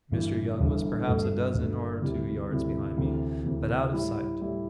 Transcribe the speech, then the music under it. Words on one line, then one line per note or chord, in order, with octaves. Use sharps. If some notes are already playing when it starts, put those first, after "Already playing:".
Mr. Young was perhaps a dozen or two yards behind me, but out of sight.
G1 G2 E3
G1 G2 E3
G1 G2 D3 A3
G1 G2 D3 A3
D2 C3 G3 E4
D2 C3 G3 E4
D2 C3 E3
D2 C3 E3
A2 G3 E4
A2 G3 E4